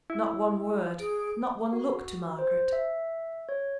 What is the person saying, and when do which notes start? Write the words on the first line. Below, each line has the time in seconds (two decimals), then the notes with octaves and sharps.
Not one word: not one look to Margaret.
0.10 E4
1.00 G#4 D7
1.73 F#4
2.39 C5
2.72 E5
3.49 C#5